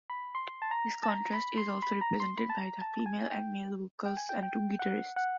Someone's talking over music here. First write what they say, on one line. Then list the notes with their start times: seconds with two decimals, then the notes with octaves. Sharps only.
This contrast is also represented by the female and male vocals and two guitarists.
0.10 B5
0.35 C6
0.62 A5
0.71 A#5
1.03 A5
1.08 A#5
1.33 B5
1.58 C6
1.82 B5
2.01 A#5
2.20 C6
2.38 B5
2.50 A5
2.57 A#5
2.82 A5
3.06 G#5
3.31 G5
4.05 G5
4.17 G#5
4.29 G5
4.43 G5
4.79 F#5
5.16 F#5